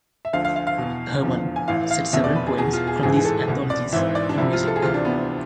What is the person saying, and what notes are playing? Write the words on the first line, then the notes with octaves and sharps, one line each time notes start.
Herrmann set several poems from these anthologies to music.
E5
D2 D3 F3 F5
F5
F5
F5
E2 B2
F1 E2 D3 F3
G#5
A1 A2 E3 F5
F5
F1 E2 B2 E5
D5
B4
G#4
E2 B2 G#4
F4
G#4
A1 G#2 E3 G#4
G#4
A4
C2 B2
D5
G#1 G#2 E3 E5
D5
D4
C2 C3 F3 E4
F4
A4
G#4
D2 C3 E3 F4
D4
B3